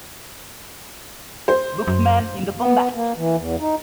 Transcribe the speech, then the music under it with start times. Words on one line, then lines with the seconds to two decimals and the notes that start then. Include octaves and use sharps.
Buxman in the Combat!
1.48 C5
1.88 F#2
2.59 B3
2.94 A#3
3.16 E3
3.37 E2
3.59 D#4